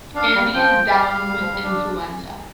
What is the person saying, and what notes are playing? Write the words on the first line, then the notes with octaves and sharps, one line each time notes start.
Andy is down with influenza.
D4 F5
G3
F3 G5
F5
G3
F3
G3
D4